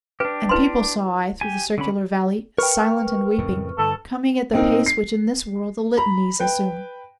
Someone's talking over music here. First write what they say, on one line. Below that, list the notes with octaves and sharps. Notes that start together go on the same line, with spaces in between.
And people saw I through the circular valley, Silent and weeping, coming at the pace Which in this world the Litanies assume.
D4 G4 B4
E4 B4 C6
G4 G#5
D3 C#4 B5
A#4 B4 G5 C#6 F6
F2 A2 C#3
G2 D3 A4
A#2 C4 D#4 A#4
C7
A#5 B5
B4 G5